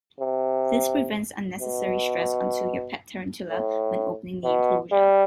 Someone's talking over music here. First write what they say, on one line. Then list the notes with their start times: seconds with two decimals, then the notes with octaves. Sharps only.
This prevents unnecessary stress unto your pet tarantula when opening the enclosure.
0.20 C3
1.61 B2
3.50 A2
4.44 B2
4.91 G3